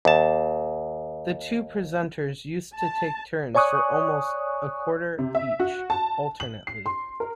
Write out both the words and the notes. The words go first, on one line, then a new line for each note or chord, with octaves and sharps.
The two presenters used to take turns for almost a quarter each, alternately.
D#2 A5
A5
C#5 D5 G#5 C#6 D#6 F#6
C3
E5
F#4
A5
F#7
C7
C6
A#4